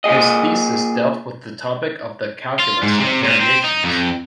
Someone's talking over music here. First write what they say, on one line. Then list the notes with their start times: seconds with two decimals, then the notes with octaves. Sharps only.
His thesis dealt with the topic of the calculus of variations.
0.04 A#2 G#4 D#5
2.60 F4
2.83 G#2
3.00 C3
3.24 A#2
3.40 C4
3.64 D#4
3.84 F2